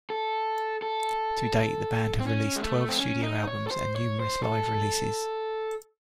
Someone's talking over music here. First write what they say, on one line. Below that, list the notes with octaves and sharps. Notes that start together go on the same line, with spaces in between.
To date, the band have released twelve studio albums, and numerous live releases.
A4
A4
C4
C#4
G#3
A3
C4
C#4
D#4
C#5
A4
C5
C#5
C5
A4